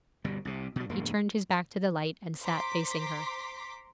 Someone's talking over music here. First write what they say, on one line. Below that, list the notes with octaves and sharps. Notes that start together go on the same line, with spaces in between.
He turned his back to the light, and sat facing her.
G1 B2 G3
C2 C3
B2 F#3
E1 G2 G#3 A#3
C5 A#5 C6 D6 B6